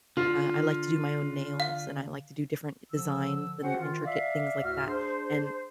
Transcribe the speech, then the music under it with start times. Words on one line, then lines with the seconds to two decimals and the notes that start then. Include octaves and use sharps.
uh, I like to do my own nails, and I like to do different designs and intricate things like that, and
0.17 D3 F4
1.60 F5
2.93 D3 F3 E6
3.62 C4 C#4 F#4 G#4 C5 F#5
3.79 D#3 F4
4.05 D5 E5 F5
4.63 D2 A2 F#4 E5 F#5 F6
4.86 D4 G#4 C5